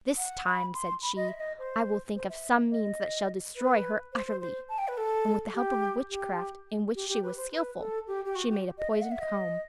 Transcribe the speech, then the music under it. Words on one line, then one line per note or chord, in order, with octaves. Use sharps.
"This time," said she, "I will think of some means that shall destroy her utterly;" and with the help of witchcraft, in which she was skilful, she made a poisoned comb.
F#5
B5
C6
B5
D#5
E5
D#5
C5
C5
E5
D#5
B4
C5
C5
C5
A5
G5
B4
A4
G4
G4
G4
G4
B4
C5
B4
A4
G4
G4
F#4
G4
D#5
E5
F#5
E5
D#5